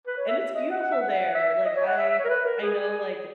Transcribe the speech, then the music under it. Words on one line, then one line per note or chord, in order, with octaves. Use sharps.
And it's beautiful there. Like, I I know, like,
B4
C#5
E5
E5
D#5
F#5
F#5
E5
F#5
E5
D#5
C#5
F#5
E5
E5
C#5
A#4
B4
A#4
G#4